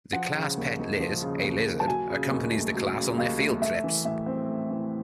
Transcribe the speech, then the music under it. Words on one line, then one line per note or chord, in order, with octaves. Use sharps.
The class pet Liz, a lizard, accompanies the class on their field trips.
F3 F#5
C#3
D#2
D#2
F3
C#3
D#2
D#2
A5
F#3 G#5
C#3
D#2
A3
F#3
C#3
D#2 F5
A3
A3 E5
E3
A2 E5
C4
A3
E3